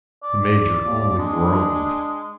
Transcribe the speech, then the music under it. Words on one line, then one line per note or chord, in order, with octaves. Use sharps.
The Major only groaned.
D5
D#2
G#3 D4